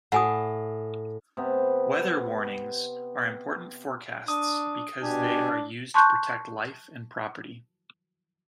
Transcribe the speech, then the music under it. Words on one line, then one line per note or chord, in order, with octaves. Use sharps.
Weather warnings are important forecasts because they are used to protect life and property.
A2 F#5 G#5 D#6
C3 B3
D4 D#6
B2 D4 G4 G#5
A5 C6 C#6 F#6 G6